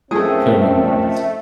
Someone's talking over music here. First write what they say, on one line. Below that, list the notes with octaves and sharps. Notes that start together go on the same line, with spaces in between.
could have been worse.
F#2 D#3 F3 A3 C4 G#4 A4